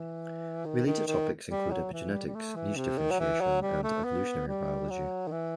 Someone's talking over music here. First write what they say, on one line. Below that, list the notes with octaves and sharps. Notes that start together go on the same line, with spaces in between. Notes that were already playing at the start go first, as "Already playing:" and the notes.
Related topics include epigenetics, niche differentiation, and evolutionary biology.
Already playing: E3
D#3
D#3
D#3
G3
F#3
E3
G3
G3
A3
E3
C3
D#3
F#3
E3
F#3
G3
A3
B3
G3
F#3
D#3
E3